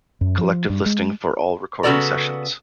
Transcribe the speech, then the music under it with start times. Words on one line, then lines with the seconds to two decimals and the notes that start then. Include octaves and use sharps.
Collective listing for all recording sessions.
0.21 F#2
0.38 F3
0.70 G2
0.86 G#3
1.83 C#3 B3 F#4 A4 D5 A#5